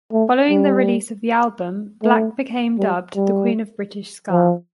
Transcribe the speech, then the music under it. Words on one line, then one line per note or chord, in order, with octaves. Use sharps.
Following the release of the album, Black became dubbed the Queen of British Ska.
A3
G3
A3
G3
G3
F3